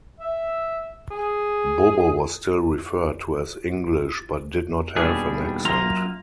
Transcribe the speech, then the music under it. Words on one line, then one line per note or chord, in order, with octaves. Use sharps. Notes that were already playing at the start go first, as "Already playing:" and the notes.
Bobo was still referred to as English but did not have an accent.
E5
G#4
D#2 B2 G3 D4 G#4
F#2 A#3 F4 A#5 C6